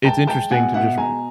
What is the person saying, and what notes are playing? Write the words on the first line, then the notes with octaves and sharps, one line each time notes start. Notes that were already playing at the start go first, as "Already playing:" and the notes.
it's interesting to just r r
G#3 G5 A5
G#3 G5 A5
B2 F#5 G#5
B2 E5 F#5
G#3 G#5 A#5